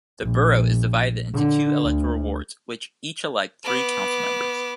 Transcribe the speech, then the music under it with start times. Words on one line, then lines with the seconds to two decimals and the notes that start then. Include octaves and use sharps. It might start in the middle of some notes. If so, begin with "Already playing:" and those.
The borough is divided into two electoral wards which each elect three council members.
0.21 A#1
1.33 D3
1.84 D2
3.64 B3 D6